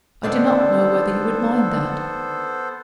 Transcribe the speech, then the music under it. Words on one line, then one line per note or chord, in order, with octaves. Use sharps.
I do not know whether you would mind that.
D3 D#3 B3 A4 C5 D5